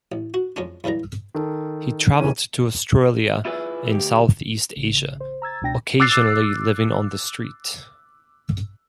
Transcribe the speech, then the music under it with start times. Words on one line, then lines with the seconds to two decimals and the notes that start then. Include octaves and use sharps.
He travelled to Australia and Southeast Asia, occasionally living on the street.
0.12 A1
0.34 F#4
0.56 F2 G#3 C#4 D4
0.84 E2 C#3 E3 G3 A#5
1.35 D#3 A4
2.20 E1 C3 D#3 E3 C#4 D#7
3.45 E4 F4 G#4 B4 E5
3.92 D2 G4
4.76 A1 C#3
5.20 C5
5.42 A#5 E6 G#6 A6
5.62 C#2 B2 D4 G5 A#6
6.00 D6 E6 F#6 A6 C7